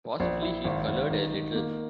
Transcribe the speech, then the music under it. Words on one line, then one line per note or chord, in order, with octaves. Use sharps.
Possibly he coloured a little.
A#1
E4
G#1
G#1
D#3
D#3
A#3